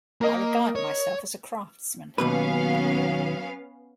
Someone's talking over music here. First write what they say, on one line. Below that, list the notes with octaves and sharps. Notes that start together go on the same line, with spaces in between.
I regard myself as a craftsman.
A#3 A#4 D#5
C#5
D#2 B2 F#3 B3 C#4 B4 F5